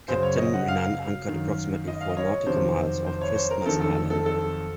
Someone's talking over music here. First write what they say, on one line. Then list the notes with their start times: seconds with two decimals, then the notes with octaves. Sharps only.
Captain Rinnan anchored approximately four nautical miles off Christmas Island.
0.08 F#2 C#3 F#3 C5
0.23 C#5
0.37 D#5
0.53 F#5
0.68 F5
1.27 F#2 D#3 F#3
1.88 D#5
2.01 F5
2.09 D#5
2.17 C#5
2.46 F2 C3 D#3 F#3 C5
3.06 C5
3.21 C#5
3.36 C5
3.51 A#4
3.66 F2 D#3 F#3 A4
3.81 A4
4.10 A4
4.26 A4